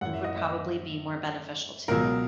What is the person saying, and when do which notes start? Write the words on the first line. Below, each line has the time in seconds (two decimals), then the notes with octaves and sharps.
would probably be more beneficial too.
0.01 F#2 E3 F#5
0.13 E5
0.24 D#5
0.35 E5
1.88 C#2 B2 F#3 A#4